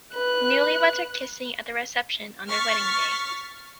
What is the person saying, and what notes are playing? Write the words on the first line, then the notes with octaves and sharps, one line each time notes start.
Newlyweds are kissing at the reception on their wedding day.
B4 F#6
C#6 F6 A6 B6